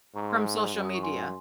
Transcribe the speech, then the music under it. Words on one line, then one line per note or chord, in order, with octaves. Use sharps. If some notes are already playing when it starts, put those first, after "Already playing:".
From social media.
G#2 A#5 C#6
G#5 C6
F#2
D#6
C#6
G#5 C6